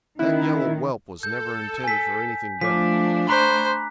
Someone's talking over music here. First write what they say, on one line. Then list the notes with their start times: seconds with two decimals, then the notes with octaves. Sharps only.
That yellow whelp was never intended for anything better.
0.19 D#3 A#3 C#4 E4 F#6
1.23 A4 G6
1.84 G#5 B6
2.61 F3 A3 D4 D6 B6
3.29 C5 A#5 B5 C#6 F#6 B6